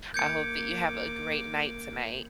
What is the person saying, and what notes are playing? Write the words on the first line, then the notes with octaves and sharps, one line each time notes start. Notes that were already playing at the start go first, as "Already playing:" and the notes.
I hope that you have a great night tonight.
A#3 D6 G6 G#6 C#7